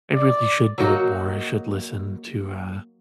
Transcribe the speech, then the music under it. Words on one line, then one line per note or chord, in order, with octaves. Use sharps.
I really should do it more. I should listen to, uh,
D5
F#3 A#3 D#4 F#4